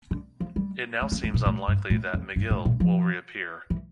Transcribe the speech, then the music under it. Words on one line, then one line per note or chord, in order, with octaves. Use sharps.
It now seems unlikely that "Magill" will reappear.
D3
F3
G3
A3
A#3
A3
A#2
A2
G2
A2
F2
G2
A2
A#2
F3
E3